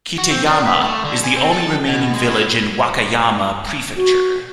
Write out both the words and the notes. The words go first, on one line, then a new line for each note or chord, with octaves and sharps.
Kitayama is the only remaining village in Wakayama Prefecture.
F#4
C4
D4
B4
A3
D3
G#5
C4
A4
B2
G#3
E4
F#4